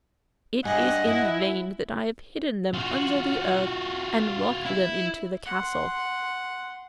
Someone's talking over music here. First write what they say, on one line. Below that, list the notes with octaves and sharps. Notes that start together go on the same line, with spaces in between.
It is in vain that I have hidden them under the earth and locked them into the castle.
G2 D#5 F#5 G#5
E4
F4 F#4
E4
F#5 C6